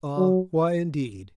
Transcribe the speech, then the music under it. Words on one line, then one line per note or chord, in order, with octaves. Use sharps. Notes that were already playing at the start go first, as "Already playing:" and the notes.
Ah! why indeed?
F#3